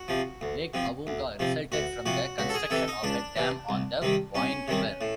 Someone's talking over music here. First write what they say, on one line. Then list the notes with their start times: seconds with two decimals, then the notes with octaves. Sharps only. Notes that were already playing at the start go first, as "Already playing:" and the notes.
Lake Awoonga resulted from the construction of a dam on the Boyne River.
Already playing: F#4
0.08 C3 F3
0.41 D2
0.74 C3 F3
1.07 D2
1.39 C3 F3
1.72 D2 F#4
2.06 C3 F3 F#4
2.38 C#2 F#4
2.49 A4
2.54 G#4
2.70 C3 E3 A4
2.88 D#4
3.03 C#2 D4
3.36 C3 E3
3.69 C2
4.02 C3 D#3 G3
4.35 C2 C#4
4.68 C3 D#3 G3
5.01 A2